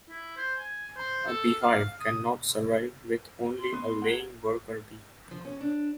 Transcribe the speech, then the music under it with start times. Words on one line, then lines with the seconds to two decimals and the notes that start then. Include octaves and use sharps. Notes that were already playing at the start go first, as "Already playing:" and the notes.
A beehive cannot survive with only a laying worker bee.
0.09 E4
0.37 C5
0.59 G#5
0.97 C5
1.27 A4
1.61 F5
2.01 D#6
3.59 C6
3.73 B3
4.02 G#4 A#4 F#5
5.31 F3
5.45 C#4
5.61 D4